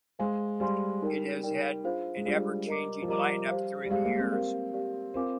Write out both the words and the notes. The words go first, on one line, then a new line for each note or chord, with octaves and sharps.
It has had an ever-changing line-up through the years.
G#3 C5 F5 G#5 C6
G3 C5 F5 G#5 C6
D#4 A#4 D5 G5
D#4 A#4 D5 G5
D4 F4 G#4 C5 F5
G#3
G3 D4 F4 G#4 C5 F5
A#4 D#5 A#5 D6
F3
G3 A#4 D#5 A#5 D6
G4 C5 F5
G3
G#3 G4 C5 F5
A#3
C4
G4 A#4 D5 F5
G4 A#4 D5 F5
C4 F4 A#4 F5 G#5 D6